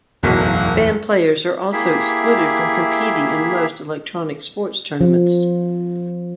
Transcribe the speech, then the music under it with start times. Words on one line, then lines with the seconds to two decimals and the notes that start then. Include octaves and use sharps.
Banned players are also excluded from competing in most electronic sports tournaments.
0.24 F#1 B1 E2 A2 F#3 A#3 B6
1.72 A#3 E4 G4 G#4 E5
5.01 F3